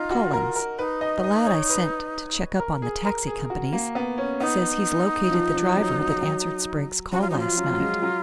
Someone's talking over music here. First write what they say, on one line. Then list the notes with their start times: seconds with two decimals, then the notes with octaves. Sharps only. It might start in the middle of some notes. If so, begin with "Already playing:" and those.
Collins--the lad I sent to check up on the taxi companies--says he's located the driver that answered Sprague's call last night.
Already playing: D#4 F4
0.11 F#4
0.33 A#4
0.56 A#4
0.79 D#4 B4
1.01 D#5
1.24 D#5
1.46 C#5
1.69 B4
2.59 A#4
2.82 G#4
3.05 A#4
3.27 G#4
3.50 F#4
3.73 A#3
3.95 B3
4.18 C#4
4.40 B3 D#4
5.31 F3
5.54 F3
5.76 F#3
5.99 F#3
6.21 F#3
7.12 F#3 F#4
7.21 F4
7.30 D#4
7.35 F3 F4
7.57 F#3
7.66 F3
7.72 F#3
7.80 G#3
8.02 F#3